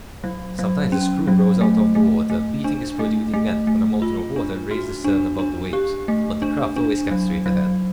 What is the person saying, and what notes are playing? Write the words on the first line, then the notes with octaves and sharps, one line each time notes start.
Sometimes the screw rose out of the water, beating its protruding end, when a mountain of water raised the stern above the waves; but the craft always kept straight ahead.
F#3
F#3
C#4
F#3
A3
A3
A3
D4
A3
A3
A3
F4
D4
F#4
D4
D4
G4
A3
D4
D4
F#3
F#3